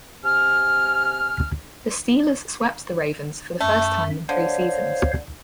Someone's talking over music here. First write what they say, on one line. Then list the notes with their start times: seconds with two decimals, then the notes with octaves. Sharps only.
The Steelers swept the Ravens for the first time in three seasons.
0.24 C3 G#5 F6
3.61 F#2 A3 E5
4.29 D3 C5 C#5 F5